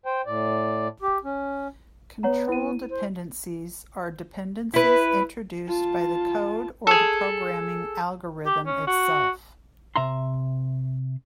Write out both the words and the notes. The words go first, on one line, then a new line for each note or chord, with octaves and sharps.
Control dependencies are dependencies introduced by the code or the programming algorithm itself.
C5 G5
A2 D5
G4
C#4
B3 C#5 F#5 A#5
E4 D#7
C5
E4 B4
F4 A5
G#4 A4
G4
C#4
F#4
C3 E5 A#5 C6